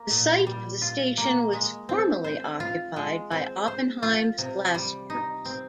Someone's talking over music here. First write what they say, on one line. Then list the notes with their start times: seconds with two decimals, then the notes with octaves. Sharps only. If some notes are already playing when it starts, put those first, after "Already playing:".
The site of the station was formerly occupied by Oppenheims Glassworks.
Already playing: A#3
0.10 A#2
0.47 G3
0.82 F4
1.18 A#3
1.53 G#3
1.89 C4
2.24 C5
2.60 F4
2.96 G#3
3.31 C4
3.68 C5
4.03 F4
4.38 C3
4.74 G3
5.10 D#4
5.45 C4